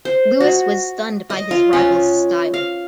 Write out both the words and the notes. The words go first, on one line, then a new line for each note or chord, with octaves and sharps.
Louis was stunned by his rival's style.
C5
F#4
D#5
F4
C#4
F5